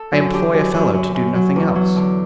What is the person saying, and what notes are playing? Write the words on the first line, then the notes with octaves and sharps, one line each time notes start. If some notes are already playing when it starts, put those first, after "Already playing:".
I employ a fellow to do nothing else.
Already playing: A4
F#2
D3 G4
F#2
F#2
F#2
F#2
F#3
E2
F#3
D3